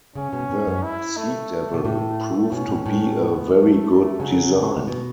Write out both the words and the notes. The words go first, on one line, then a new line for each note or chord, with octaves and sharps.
The "Sea Devil" proved to be a very good design.
C#3 C#4
B2
A2
F#2
E4
A3
B2
A2 A3
B2 C#4
A2
A2
B3
F#3 A3
C#3 F#3
B2